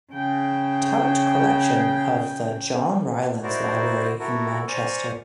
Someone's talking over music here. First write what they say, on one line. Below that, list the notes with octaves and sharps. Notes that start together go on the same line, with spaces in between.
Tout Collection of the John Rylands Library in Manchester.
C#3 G5
D#4 E4 F#4 A#4 C5 D5
E4 F#4 A4 A#4
C5 D5 G#5 A#5 C#6 F6